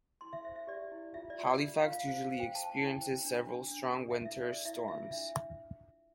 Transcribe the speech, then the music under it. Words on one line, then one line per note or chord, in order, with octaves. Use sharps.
Halifax usually experiences several strong winter storms.
E4 C6
E5
C5 E5
E5
G4 D5
E4
F4 E5
D5
F4
D5
F4
F5
F4
F5
C5 F5
F5
C5
G5
C5 A5
A5
E4
G5
C5
D4
D4
D4
A4
E5
E4
E5
A4 D5
E4 E5
F4 E5
D4 E5